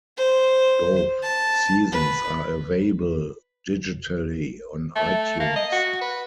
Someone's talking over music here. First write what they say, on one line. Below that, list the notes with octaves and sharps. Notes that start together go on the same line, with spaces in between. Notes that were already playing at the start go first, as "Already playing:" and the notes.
Both seasons are available digitally on iTunes.
C5
A5
B4
A3
A#3
D#5
F#4
B4